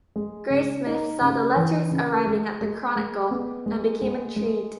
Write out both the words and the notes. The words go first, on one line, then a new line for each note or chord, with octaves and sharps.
Graysmith saw the letters arriving at "The Chronicle" and became intrigued.
G#3
C#3
D#4
C#3
E3
C#3
G#3
G#3
G#3
B3
G#3
G#3
G#3